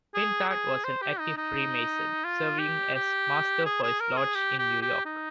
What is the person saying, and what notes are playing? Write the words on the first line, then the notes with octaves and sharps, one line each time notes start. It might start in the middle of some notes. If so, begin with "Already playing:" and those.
Pintard was an active Freemason, serving as Master for his Lodge in New York.
G#4
G#4
C5
G4
D#4
D#4
F4
G4
G4
G#4
G#4
A#4
G#4
G4
G4
G4
D#4